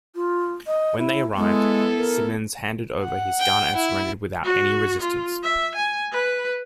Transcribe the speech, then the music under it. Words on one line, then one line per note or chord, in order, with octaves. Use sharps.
When they arrived, Simmons handed over his gun and surrendered without any resistance.
F4
D#5
E4
G#3 B3 E4 A4
A#4
F#5
G5
E4
F#4
F4
E5
G#5
B4